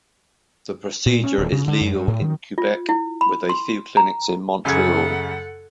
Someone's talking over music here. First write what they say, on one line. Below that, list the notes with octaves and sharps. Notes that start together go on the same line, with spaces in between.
The procedure is legal in Quebec, with a few clinics in Montreal.
A#2
C#4
D#1
C#3
D3
F#2
G2
A2
D#3
F4
E4
B5
C6
A#5
F#2 C#3 A4 F#5 G#6